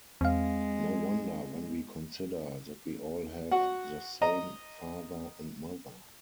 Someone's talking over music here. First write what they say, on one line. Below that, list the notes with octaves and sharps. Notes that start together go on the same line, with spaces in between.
No wonder when we consider that we all have the same Father and Mother.
E2 G#3 C4 F5
F#4 F#5
D#5 A#5